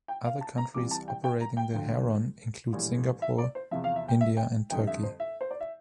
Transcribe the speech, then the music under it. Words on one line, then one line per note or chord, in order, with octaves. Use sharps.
Other countries operating the Heron include Singapore, India and Turkey.
G5
F5
A5
A#5
C2 C3 E3 G3 D6
A5
G5
G5
A#5
G5
D2 D3 F3
A#1 A2 E3 G3
E5
D5
C5
E2 C3 F3 E5
F5
E5
G5
E5
G5
G1 F2 D3 G3 G5
E5
C5
E5
C5
D5
E5